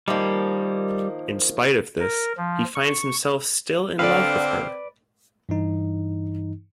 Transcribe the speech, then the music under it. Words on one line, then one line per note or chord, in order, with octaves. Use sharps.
In spite of this, he finds himself still in love with her.
D#3 F3 G3 A#3
A#4
F3
C#6
D3 C4 B4 D5 F5
G2 E3 D#4